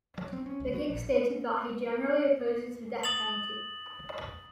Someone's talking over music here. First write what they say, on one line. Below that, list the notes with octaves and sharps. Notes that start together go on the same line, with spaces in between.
Begich stated that he generally opposes the death penalty.
F#3
C4
C#4
C#2
F#3
A#1
D#6 A6 F7 F#7